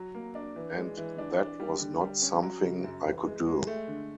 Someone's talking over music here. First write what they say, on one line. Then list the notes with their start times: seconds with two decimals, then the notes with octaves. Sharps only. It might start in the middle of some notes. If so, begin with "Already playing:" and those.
And that was not something I could do.
Already playing: F#3
0.15 A#3
0.35 D4
0.56 E3
0.77 G#3
0.97 E3
1.18 D4
1.39 D4
1.60 G3
1.80 D3
2.01 G3
2.22 C#4
2.43 F#3
2.63 C#3
2.84 F#2
3.05 E3
3.26 G#3
3.46 G#3
3.67 A3
3.88 D3